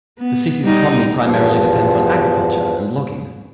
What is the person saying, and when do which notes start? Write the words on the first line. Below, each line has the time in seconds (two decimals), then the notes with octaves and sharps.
The city's economy primarily depends on agriculture and logging.
0.19 B3
0.64 G3 D#4
1.21 E2 G2 F3